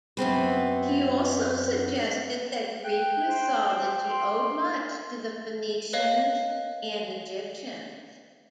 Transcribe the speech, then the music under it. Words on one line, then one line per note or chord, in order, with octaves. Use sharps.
He also suggested that Greek mythology owed much to the Phoenicians and Egyptians.
F#2 B3 C4 B4
G5 F#6
C5
C6
B4 C#5 D#5 F5